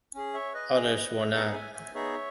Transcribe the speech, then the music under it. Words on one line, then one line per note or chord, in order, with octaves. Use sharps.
Others were not.
C#4 G#4
C#5 E5
B4 D#5
C#4 G#4
B3 D#4 G#4 D#5 F#5
E5 G#5
E5 G#5
B3 D#4 G#4 C#5 E5